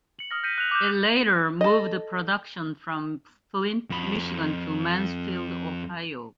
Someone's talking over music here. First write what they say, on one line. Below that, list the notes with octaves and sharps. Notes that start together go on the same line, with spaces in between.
It later moved production from Flint, Michigan to Mansfield, Ohio.
C#7 F#7
D#6 F6 A#6
G6 A#6 B6 C#7 D#7
F#6 F7
D6 F6 G6
A4 D#5
F2 B5